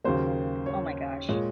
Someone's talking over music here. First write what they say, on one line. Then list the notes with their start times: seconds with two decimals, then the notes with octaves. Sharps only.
Oh my gosh.
0.04 D#2 C#3 F#3 A#3 C5
0.66 C#5
1.29 A#2 G#3 C#5